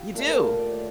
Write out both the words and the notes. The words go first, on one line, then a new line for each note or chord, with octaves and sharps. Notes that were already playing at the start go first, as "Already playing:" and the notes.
You do.
Already playing: F4 G4
A#2 A3 A#4
D5
C#5